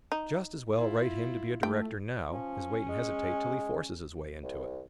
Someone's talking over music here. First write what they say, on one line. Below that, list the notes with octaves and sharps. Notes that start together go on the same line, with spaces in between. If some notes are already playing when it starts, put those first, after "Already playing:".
Just as well write him to be a director now as wait and hesitate till he forces his way into it.
D#4
E4 F4
A3 G5
F3 C#4
G#3
C2